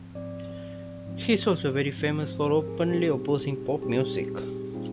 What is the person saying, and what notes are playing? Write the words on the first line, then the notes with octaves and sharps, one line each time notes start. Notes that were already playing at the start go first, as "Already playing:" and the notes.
He is also very famous for openly opposing pop music.
Already playing: G#2 F3 C4
G#2 F3 C4 D5
G#2 F3 C4
G#2 F3 C4
C5
A#4
A#4
G#4
A#2 G3 C4 D#4 G4 G#4
A#2 G3 C4 D#4 G4 G#4
A#2 G3 C4 D#4 F4 G#4